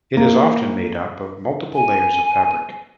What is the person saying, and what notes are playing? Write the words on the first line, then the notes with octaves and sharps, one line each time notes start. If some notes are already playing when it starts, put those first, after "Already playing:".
It is often made up of multiple layers of fabric.
A#3
G#5